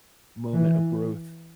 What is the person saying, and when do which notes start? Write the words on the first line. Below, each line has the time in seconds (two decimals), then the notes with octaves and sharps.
moment of growth
0.54 E3